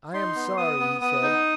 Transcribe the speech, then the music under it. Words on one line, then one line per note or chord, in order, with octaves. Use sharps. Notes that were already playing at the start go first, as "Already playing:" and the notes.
"I am sorry," he said.
D#4 C6
B3
B3 D#6
B3
B3 D#6
D#4